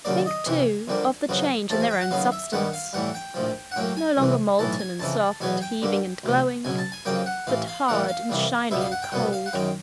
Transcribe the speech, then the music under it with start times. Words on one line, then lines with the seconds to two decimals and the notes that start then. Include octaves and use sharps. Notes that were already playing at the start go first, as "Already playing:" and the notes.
Think, too, of the change in their own substance--no longer molten and soft, heaving and glowing, but hard and shining and cold.
0.05 D#2 C#3 F#3 A#3 D5
0.26 D#5
0.46 F2 C3 E3 G#5
0.88 F2 D3 G3 A#3
1.29 F2 C#3 F#3 B3
1.70 A1 A2 F3 A5
1.80 G#5
1.91 G5
2.01 F#5
2.11 D#2 C#3 F#3 B3 F5
2.32 E5
2.52 G2 D#3 G3 B3 F#5
2.73 F5
2.93 A2 E3 G3 F#5
3.15 G5
3.34 A#1 A2 F3
3.72 F#5
3.76 A2 F#3 A#3 G5
3.97 G#5
4.17 C2 C3 E3
4.59 B1 A2 E3 A5
4.79 G#5
5.00 F2 C#3 E3 A5
5.41 E2 B2 F#3 B3 G#5
5.62 G5
5.82 G2 D3 G3 A#3
6.24 D2 C3 F3
6.65 C#2 B2 F#3 G#5
6.78 A5
6.92 G#5
7.05 F2 C#3 F#3 A#3 G5
7.26 F#5
7.47 A1 A2 E3 F5
7.68 F5
7.88 A2 E3 G3 A#3 F#5
8.08 F5
8.29 C2 C3 E3 G3
8.71 C#2 B2 G3 B3 E5
8.81 F5
8.92 F#5
9.02 G5
9.12 C2 B2 G3 B3 F#5
9.33 F5
9.46 F#5
9.53 F#2 D#3 F#3 G5